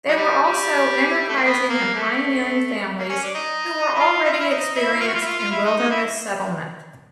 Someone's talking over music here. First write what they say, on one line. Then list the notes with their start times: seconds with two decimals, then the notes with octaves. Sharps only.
They were also enterprising and pioneering families who were already experienced in wilderness settlement.
0.08 F#3
0.16 G3
0.43 G3
1.29 A3
1.36 A#3
1.45 B3
1.69 A#3
1.95 A3
2.98 A#3
3.09 C#4
3.23 D4
3.35 D#4
3.94 E4
3.99 F4
4.24 E4
4.33 F4
4.40 E4
4.50 D#4
4.75 E4
5.00 F4
5.07 F#4
5.14 F4
5.21 E4
5.26 F4
5.39 F4
5.51 E4
5.65 D#4
5.77 D#4
5.90 E4